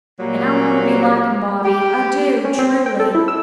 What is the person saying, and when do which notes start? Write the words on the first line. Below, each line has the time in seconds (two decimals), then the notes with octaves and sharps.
And I want to be like 'em, Bobby, I do, truly.
0.19 A#2 F#3 G3 A#3
1.64 G4
2.45 C#4
2.59 C4
2.86 G5
3.00 A4
3.15 E4
3.28 E6